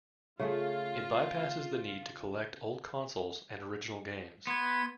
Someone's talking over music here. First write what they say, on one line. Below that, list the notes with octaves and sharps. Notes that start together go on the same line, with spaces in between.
It bypasses the need to collect old consoles and original games.
C#3 A3 F4 G#4
B3 C6 G#6